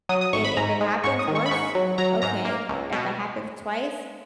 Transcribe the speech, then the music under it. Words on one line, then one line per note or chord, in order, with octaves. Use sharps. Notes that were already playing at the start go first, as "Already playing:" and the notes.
I if it happens once, okay. If it happens twice
F#3 D#6
D#6
G#1 C#6
B5
G#2 A#5
G#3
G#2 C#6
D#6
D#3
C#6
B5
G#2 C#6
F#3
F#3 A#5
G#2 A#5
A#3
C#2
B2